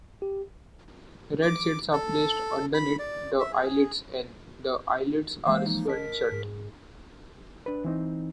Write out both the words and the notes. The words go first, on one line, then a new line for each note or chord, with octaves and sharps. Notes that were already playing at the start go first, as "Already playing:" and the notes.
Red seeds are placed underneath the eyelids and the eyelids are sewn shut.
G4
D6
A4
B5
D5
E5
G#4
E3 G#3 A#3 C5 F5
F3 A#3 D#4
A#4 D#5 A5 B6
G#2 G#4
D4 B4
E3 C4 D#4